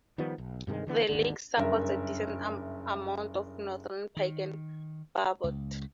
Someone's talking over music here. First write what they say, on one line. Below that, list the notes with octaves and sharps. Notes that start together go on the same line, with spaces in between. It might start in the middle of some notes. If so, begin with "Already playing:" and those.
The lake supports a decent amount of Northern Pike and Burbot.
D#3 F3 G3 B3
B1
G2 C3 D#3 G#3
D3 E3 B3
G#1 D#2 D3
F#1 G2 A#4 E5
D#3
C#2